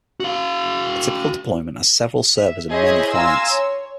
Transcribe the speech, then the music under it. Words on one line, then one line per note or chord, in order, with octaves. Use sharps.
A typical deployment has several servers and many clients.
F#4 F5
E5
E4 G#4 C5 C#5 D#5 E5
F5 G#5 A#5 C6 E6
C#5